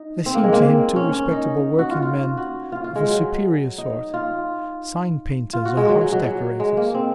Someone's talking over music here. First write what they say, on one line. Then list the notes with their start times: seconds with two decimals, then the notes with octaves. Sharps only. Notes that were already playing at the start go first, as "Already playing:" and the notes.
They seemed to him two respectable working men of a superior sort--sign painters or house decorators.
Already playing: D#4
0.26 C4
0.35 A#3
0.44 G#3
0.53 A#3
0.61 C4
0.96 C#4
1.14 C#4
1.32 D#4
1.79 F#4
1.91 F4
2.02 F4
2.37 F#4
2.72 F4
2.84 F4
2.96 G#3
3.07 F#3
3.78 D#4
4.14 F4
5.53 F4
5.65 F#4
5.77 G#3
5.89 F#3
6.01 F#3
6.13 F#3
6.24 F#3
6.60 G#3
6.77 A#3
6.94 C4